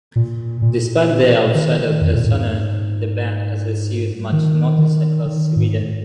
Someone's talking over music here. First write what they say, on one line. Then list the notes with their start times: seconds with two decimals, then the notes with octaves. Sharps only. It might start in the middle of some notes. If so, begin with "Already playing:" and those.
Despite their outsider-persona, the band has received much notice across Sweden.
0.16 A#2
0.62 A#2
1.55 D#3
1.78 D#3
2.01 F2
2.14 A#2
2.24 G#2
4.32 D#3
4.78 D#3
5.25 D#3
5.56 G#2